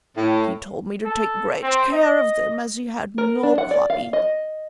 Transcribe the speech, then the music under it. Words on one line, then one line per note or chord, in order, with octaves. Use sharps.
He told me to take great care of them as he had no copy.
A2
A4
C4
D#5
A#4
D4
F#5
D5
F5
D#5